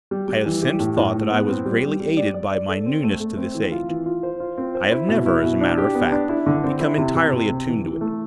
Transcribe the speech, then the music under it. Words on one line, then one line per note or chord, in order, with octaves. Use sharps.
I have since thought that I was greatly aided by my newness to this age. I have never, as a matter of fact, become entirely attuned to it.
G3
G3
E3
G4
A2
A2
A2
B3
C4
G3
G3
G3
D5
D5
D5
A4
C4
A3
A3
C4
E3
F4
E3
F4
C5
F4
C4
C5
E4
B2
E4
B2
D4
G4
B3
D4
E4
D3
C4
E4
C3
C3
C3
C3
E3
E3
A3